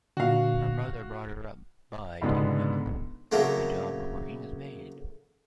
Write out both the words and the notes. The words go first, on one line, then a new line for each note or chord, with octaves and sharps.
Her mother brought her up by taking up the job of working as maid.
A#2 D3 F#4 F5
C#2 G#2 B2 D3 G#3 B3
C#3 F#3 A3 A#3 C4